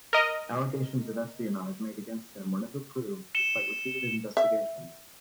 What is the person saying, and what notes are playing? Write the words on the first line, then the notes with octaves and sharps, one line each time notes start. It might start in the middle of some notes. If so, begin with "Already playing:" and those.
Allegations of espionage made against him were never proved despite repeated investigations.
A#4 D#5
C#7 E7 G7
E5